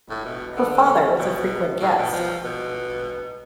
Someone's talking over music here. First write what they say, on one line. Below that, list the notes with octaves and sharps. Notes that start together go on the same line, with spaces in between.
Her father was a frequent guest.
A2
B2
D3
B2
A2
B2
F3
B2